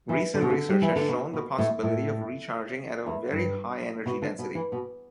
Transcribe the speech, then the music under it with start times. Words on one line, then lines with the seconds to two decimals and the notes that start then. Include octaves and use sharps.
Recent research has shown the possibility of recharging at a very high energy density.
0.09 E3
0.34 D3
0.42 B2
0.50 D3
0.69 G3
0.82 E3
0.96 D3
1.08 B2
1.33 B2
1.58 A2
1.83 A2
3.06 E2
3.31 G2
4.06 B2
4.22 D3
4.39 B2
4.55 E3
4.72 B2